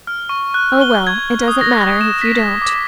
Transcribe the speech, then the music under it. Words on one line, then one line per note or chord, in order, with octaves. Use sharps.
"Oh, well--it doesn't matter--if you don't."
F6
C#6
F#6
G7
G#6
D#6
A#6
E7
B6
D6